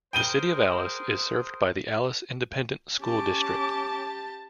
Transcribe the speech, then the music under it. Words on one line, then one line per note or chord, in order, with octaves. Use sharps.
The City of Alice is served by the Alice Independent School District.
G#4 A#4 C5 G5 D#7 G7
C#4 G4 A5 D6